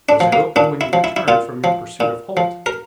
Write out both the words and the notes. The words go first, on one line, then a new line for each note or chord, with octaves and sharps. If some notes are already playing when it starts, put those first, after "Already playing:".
'Was it open when you returned from your pursuit of Holt?'
D4
F3
A#3
A#2 D4
E4
F3
E4
E4
A#2 F4
F3
A#2
F3
A#4